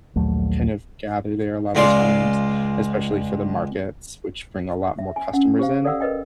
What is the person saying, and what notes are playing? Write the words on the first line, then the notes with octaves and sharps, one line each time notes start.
kind of gather there a lot of times, especially for the markets, which bring a lot more customers in,
A#1 D#2 F#3 A3
C#2 G#3 F4 D5 C6
E5
G#5
C#4 F#5
G4 C5 F5
A4 D5 F5 F#5 E6
A#4 B4 D#5 G5